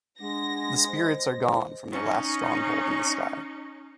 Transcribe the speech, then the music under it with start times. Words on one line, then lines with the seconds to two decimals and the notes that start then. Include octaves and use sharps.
The spirits are gone from their last stronghold in the sky.
0.20 G#3 D4 F#5 A#6
0.88 C5 D#5
1.92 C#4 D#4